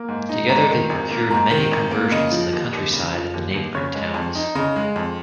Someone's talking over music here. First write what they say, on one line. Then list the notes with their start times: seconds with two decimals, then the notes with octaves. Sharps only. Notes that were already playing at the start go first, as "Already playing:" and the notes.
Together they procured many conversions in the countryside and the neighbouring towns.
Already playing: A#3
0.08 G#2
0.29 D#4
0.49 G#2 A#5
0.70 D#3
0.89 G#1
1.11 A#3
1.31 G#2 A#5
1.51 D#3
1.71 G#1
1.91 A#3
2.12 C#3 D#5
2.32 F3
2.52 D#2
2.73 D#2
2.93 C#3
3.13 F3
3.34 D#2
3.54 D#2
3.74 C#3 C#5
3.94 G#3
4.14 F2
4.35 D#4
4.55 C#3 D#5
4.76 G#3
4.96 F2